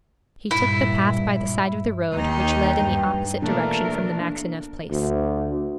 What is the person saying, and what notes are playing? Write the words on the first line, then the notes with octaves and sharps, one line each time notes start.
He took the path by the side of the road which led in the opposite direction from the Maxineff place.
G2 A#2 E4
D#2 D#4 G5
G2
B2 E3 A3 A#3 D4 A#4
D2